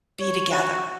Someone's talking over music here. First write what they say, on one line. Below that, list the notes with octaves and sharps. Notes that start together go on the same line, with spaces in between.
be together,
C#5
F#4